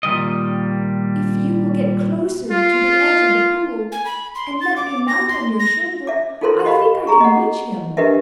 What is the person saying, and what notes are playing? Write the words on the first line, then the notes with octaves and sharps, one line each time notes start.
If you will get closer to the edge of the pool, and let me mount on your shoulder, I think I can reach him.'
A#2 D#3 G3 D#5
F4
G#5
B5
C6
A6
D6
A#6
C6
A#6
E5 D6
D#4 F4 A4 A#4 C5 C6
G4 D#5 F5 B5
G#4 A#5 C#6
D#5 F#5
D4 G4 A#4 B4 D#5 E5